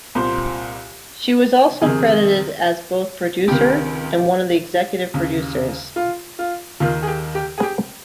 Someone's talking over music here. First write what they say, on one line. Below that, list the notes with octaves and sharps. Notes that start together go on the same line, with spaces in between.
She was also credited as both producer and one of the executive producers.
C2 A#2 C5
F2 C3 D#3 G#4
C#2 C3 D#3 G4
D#2 C#3
F4
F4
D#2 D#3 F4
G#4
G4
G4
G#4
G4